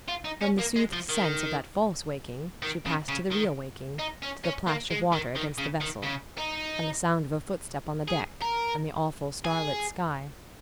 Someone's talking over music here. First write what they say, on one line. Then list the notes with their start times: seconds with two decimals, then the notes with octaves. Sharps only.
From the soothed sense of that false waking she passed to the real waking,--to the plash of water against the vessel, and the sound of a footstep on the deck, and the awful starlit sky.
0.08 F4
0.25 D#4
0.42 C#4
0.59 A#3
0.76 G#3
0.93 F3
1.09 D#3
2.63 D#3
2.86 C#3
3.08 C#3
3.31 D#3
3.99 D#4
4.23 C#4
4.45 C#4
4.68 A#3
4.91 G#3
5.13 D#3
5.36 D#3
5.58 C#3
5.81 D#3
6.03 C#3
6.38 D#4
8.08 G#4
8.42 A#4
9.45 G#4